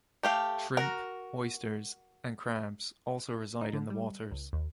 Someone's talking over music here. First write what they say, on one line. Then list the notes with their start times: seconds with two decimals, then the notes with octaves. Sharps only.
Shrimp, Oysters and crabs also reside in the waters.
0.23 A3 G4 F5
0.77 F#4 A#4
3.61 D#4
3.73 D3
3.90 G3
4.31 C#2
4.53 D#2